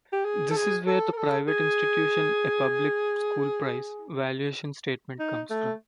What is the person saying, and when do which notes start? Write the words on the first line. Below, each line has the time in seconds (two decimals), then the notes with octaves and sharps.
This is where the "private institution a public school price" valuation statement comes from.
0.12 G4
0.25 G#4
0.51 A4
0.56 G#4
0.87 A4
1.12 A#4
1.17 A4
1.48 G#4
5.19 D#4
5.50 A3